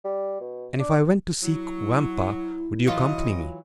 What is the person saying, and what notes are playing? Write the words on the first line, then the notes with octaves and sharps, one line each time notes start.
"And if I went to seek Vampa, would you accompany me?"
G3
B2
D4
F#3 E4
E3 F#3 F4 D#5